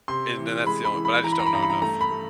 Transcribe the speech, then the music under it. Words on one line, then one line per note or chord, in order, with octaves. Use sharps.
And then that's the only but I just don't know enough.
C3 C6
E3
G#3 B5
B5
E3
B5
E3 A#5
B5
A#5
B5
G2 A#5
B5
A#5
A3 A#5
B5
A3